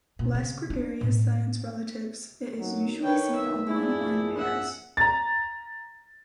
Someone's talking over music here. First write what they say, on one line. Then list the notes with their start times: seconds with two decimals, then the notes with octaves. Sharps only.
Less gregarious than its relatives, it is usually seen alone or in pairs.
0.19 A#2
0.35 C#3
0.70 D4
1.01 A2
2.59 D#3 F#3
3.03 D#3 B4 C#5 G5
3.35 E5
3.68 G#2 D4 E4 G#4
4.02 A#1
4.36 A#1 E5 F#5
4.97 A#5 A6